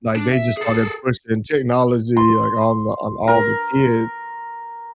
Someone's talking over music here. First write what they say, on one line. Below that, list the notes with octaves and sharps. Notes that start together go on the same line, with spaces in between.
like, they just started pushing technology, like, on the on all the kids,
D4
E5
G#4 A4
C6
A#4